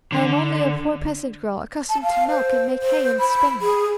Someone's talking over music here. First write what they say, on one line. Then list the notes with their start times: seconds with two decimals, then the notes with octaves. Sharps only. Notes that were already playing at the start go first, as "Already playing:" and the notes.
I am only a poor peasant girl, accustomed to milk, and make hay and spin.'
0.12 D3
1.89 A5
2.03 F5
2.29 C5
2.82 C5
3.19 B5
3.61 G#4